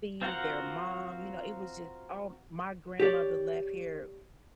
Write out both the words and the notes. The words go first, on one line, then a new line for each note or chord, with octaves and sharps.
see their mom, you know, it was just oh, my grandmother left here
C4 F4 F#4 A#4 F#5
G4 C#5 D5